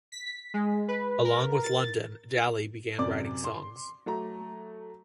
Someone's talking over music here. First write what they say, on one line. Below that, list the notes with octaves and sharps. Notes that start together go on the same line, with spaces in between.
Along with Lundon, Daly began writing songs.
B6
G#3
B4
A#4
A6
F#2 C3 D5 D6
C6
F#3 A3 A#5